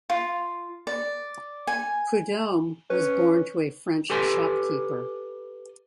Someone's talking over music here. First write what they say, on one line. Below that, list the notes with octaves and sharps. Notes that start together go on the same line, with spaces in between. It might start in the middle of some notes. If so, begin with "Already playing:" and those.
Prudhomme was born to a French shopkeeper.
F4
D5
G#5
C#4 B4
G4 A4 B4 G#5 C6